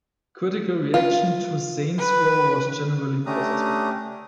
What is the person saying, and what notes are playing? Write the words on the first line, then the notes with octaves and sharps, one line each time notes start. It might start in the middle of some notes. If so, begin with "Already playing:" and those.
Critical reaction to "Saints Row" was generally positive.
F4
B4
A3 C#4 D4 G4 A#5 D#6